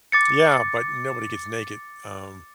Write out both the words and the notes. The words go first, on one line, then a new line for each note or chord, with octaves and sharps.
Yeah, but nobody gets naked. Um
D6 A6 C#7